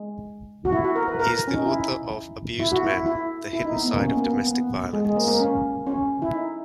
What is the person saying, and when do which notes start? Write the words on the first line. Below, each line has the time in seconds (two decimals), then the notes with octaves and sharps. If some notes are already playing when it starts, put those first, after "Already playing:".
He is the author of "Abused Men - The Hidden Side of Domestic Violence".
Already playing: G#3
0.65 F#4
0.72 E4
0.84 F#4
0.96 A#4
1.08 B4
1.19 A#4
1.48 C#4
1.54 D#4
1.66 E4
2.60 E4
2.72 F#4
2.84 E4
3.06 E4
3.53 E4
3.65 D#4
3.76 B3
3.88 A#3
3.99 C#4
4.08 B3
4.17 A#3
4.25 B3
4.47 B3
4.93 G#3
5.05 G#3
5.16 A#3
5.28 A#3
5.40 C#4
5.87 C#4
6.22 E4
6.34 D#4